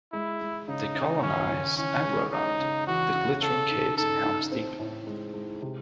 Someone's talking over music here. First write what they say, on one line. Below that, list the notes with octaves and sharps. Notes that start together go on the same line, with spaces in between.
They colonised Aglarond, the glittering caves in Helm's Deep.
G#3 E4
G#3
C#3 D#4
C#3
D#2 C#4
C#3
E3 C#4
G#3
C#4 D#4
C#3
E2 F#4
C#3
C#3 A4
D#4
D#4 A4
D#4
C4
A2
G#3
G#3
C3